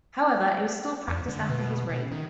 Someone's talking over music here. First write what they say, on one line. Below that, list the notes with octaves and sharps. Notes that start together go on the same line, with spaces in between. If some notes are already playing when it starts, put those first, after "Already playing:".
However, it was still practiced after his reign.
F2
D3
B2
B2
D#3